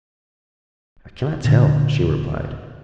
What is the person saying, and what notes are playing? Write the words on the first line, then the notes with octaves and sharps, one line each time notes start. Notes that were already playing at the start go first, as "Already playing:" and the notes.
"I cannot tell," she replied.
A#2 D3